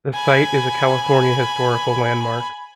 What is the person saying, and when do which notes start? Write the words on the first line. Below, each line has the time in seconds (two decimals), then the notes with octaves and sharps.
The site is a California Historical Landmark.
0.13 G#5 B5